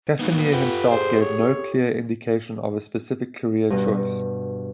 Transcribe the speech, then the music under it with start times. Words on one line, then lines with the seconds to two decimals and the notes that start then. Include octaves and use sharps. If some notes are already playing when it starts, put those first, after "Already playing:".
Casimir himself gave no clear indication of a specific career choice.
0.19 F#3 A#3 B3 D#4
0.52 F4 G4 A4 B4 F#5
0.90 G#4 C5
1.21 C#5
3.70 G2 B2